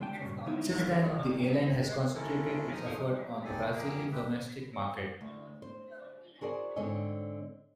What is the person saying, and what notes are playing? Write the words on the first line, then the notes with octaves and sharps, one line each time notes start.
Since then the airline has concentrated its efforts on the Brazilian domestic market.
D2 G#3 D4 G5 A5
G2 A#2 C#3
D3 G#3 B3 D#4 E4 B4
D4 F#4 G#4 A4 C#5 D5
F4 F#4 A#4 C#5 D5 F#5
D#2 G#3 C#4 E4 A4 A#4
E2 F3 A#3 D#4 D#6 F6
F3
C4 D#4 A4 D5 G#5
F2 A#3 G#4 A#4 D6
G#3 G4 B4 E5
D2
C5
F#4 G#4 A#4 C5 D5
G#2 D3 C4 C#5 D#5 G#5